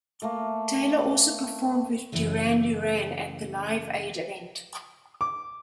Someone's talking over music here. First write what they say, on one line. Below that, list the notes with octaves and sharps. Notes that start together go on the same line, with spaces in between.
Taylor also performed with Duran Duran at the Live Aid event.
A3 A#3
F#2 C#3 E3 A3
D6